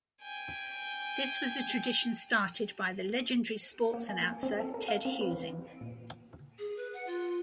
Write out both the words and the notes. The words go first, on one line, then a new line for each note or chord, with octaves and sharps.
This was a tradition started by the legendary sports announcer Ted Husing.
G5 G#5
A#3
G#5
A#3
C4
A4
A#4
F5
C4
B4
E3
A#2
G#4
B4
F#5
F4